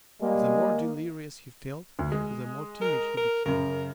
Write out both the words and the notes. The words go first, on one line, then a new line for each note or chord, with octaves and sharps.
The more delirious he felt, the more timid he became.
G3 G#3 A#3
D2
G#3
A#4
A#4
F#2 C#3 A#4